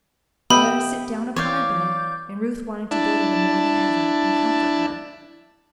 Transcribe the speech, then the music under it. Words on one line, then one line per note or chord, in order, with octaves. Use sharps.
They let her sit down upon her bed, and Ruth wanted to go to her more than ever, and comfort her.
B3 G4 D#5 E5 G5 B5
E3 C#5 D5 F5 G6
D4 E4 A5